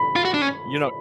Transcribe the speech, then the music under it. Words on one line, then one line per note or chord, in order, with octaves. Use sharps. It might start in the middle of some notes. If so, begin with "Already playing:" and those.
you know
Already playing: B5
F4
F#4
D4
C#4